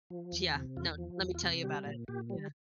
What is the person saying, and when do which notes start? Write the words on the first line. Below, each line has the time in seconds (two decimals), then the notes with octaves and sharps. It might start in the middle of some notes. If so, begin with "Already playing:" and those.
yeah, no, let me tell you about it, yeah.
0.10 F3
0.32 E2
0.55 C3
0.77 E2 F4
0.98 F3
1.20 E2
1.35 F4
1.42 C3
1.64 G3 G4
1.86 A#2
2.08 A#2 G4
2.30 G3